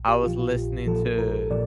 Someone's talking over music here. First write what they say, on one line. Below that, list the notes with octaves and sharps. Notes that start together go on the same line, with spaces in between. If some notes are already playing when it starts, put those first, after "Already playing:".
I was listening to
Already playing: A#1
G4
A#2 F3 F4
F4
A#1
A#2 F3 A4
A#1 A#4
A#2 F3 D5